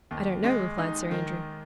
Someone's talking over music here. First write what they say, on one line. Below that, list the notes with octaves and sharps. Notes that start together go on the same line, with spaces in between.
"I don't know," replied Sir Andrew.
D#2
G#3
D#4
D#3